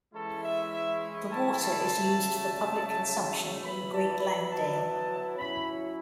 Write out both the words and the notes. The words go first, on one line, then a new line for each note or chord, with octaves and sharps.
The water is used for public consumption in Great Langdale.
E3 G#3 C#4 E4 A4
E5
E5
A5
A5
C#3 F#3 A3
F#3 B3 E4 B5
A5
B5
A5
F#3 C#4 E4 B5